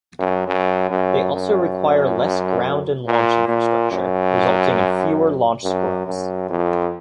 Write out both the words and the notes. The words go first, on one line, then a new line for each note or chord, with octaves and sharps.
They also require less ground and launch infrastructure, resulting in fewer launch scrubs.
F#2
F#2
F#2
F#2
A#2
A#2
F#2
F#2
F#2
F2